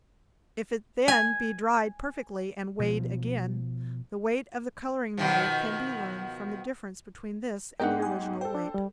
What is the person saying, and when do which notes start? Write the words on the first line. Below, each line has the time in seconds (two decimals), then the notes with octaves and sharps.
If it then be dried perfectly and weighed again, the weight of the coloring matter can be learned from the difference between this and the original weight.
1.08 G#5
2.79 B2 F3
5.17 B2 D#3 F3
7.80 G#2 B3 D4 G#4 A#4 D#5 F#5 G5
8.02 G#5
8.41 A4 C5 G5
8.55 D4
8.74 G3